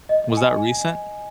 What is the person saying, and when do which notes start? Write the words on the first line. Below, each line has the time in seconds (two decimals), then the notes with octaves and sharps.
Was that recent?
0.09 D#5
0.37 G#5